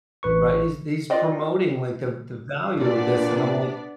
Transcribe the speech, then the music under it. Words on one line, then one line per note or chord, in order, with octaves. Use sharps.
right? He's he's promoting like the the value of this." And I'm like
A1 B4 C#6
F4 A#4 D5 D#5 G5
A#2 B3 D4 D5